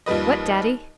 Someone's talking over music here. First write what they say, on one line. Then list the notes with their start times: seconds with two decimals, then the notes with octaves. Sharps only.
"What, daddy?"
0.06 D#2 F3 G3 B4 D#5